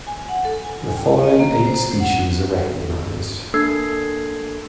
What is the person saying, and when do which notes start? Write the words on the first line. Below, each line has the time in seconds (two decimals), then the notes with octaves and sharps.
The following eight species are recognized.
0.07 G#5
0.29 F#5
0.45 A4
0.64 G#5
0.95 G5
1.23 D#5
1.39 A#3
1.53 A#5
1.67 C5
2.00 F#5
2.20 F#4
2.57 A4
3.54 A#3 D4 A4 E6 G#6 C7